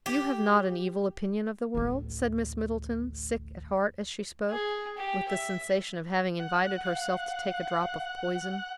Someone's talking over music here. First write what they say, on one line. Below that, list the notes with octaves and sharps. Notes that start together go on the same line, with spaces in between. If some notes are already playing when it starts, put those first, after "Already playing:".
"You have not an evil opinion of the world?" said Miss Middleton, sick at heart as she spoke, with the sensation of having invited herself to take a drop of poison.
G4
A1 D2
G#4
G4
E5
F#5
F5